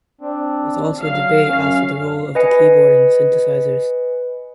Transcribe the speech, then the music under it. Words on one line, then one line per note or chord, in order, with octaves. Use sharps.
There was also debate as to the role of the keyboard in synthesizers.
C4 D4
F#3 F5
F#2 C#4
B4 D#5 G#5 C#7